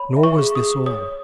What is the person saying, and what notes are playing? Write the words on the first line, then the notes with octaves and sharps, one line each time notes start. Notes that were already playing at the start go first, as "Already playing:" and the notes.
Nor was this all.
Already playing: C#5 B5
E5
C#6
G#4
D#6
G#4
C#5 D#6